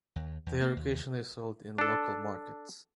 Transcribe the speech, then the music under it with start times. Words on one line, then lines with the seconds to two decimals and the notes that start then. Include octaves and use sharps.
They are occasionally sold in local markets.
0.16 D#2
0.46 E2
0.61 A#3
0.76 D#2
0.91 D#2
1.78 D4 A4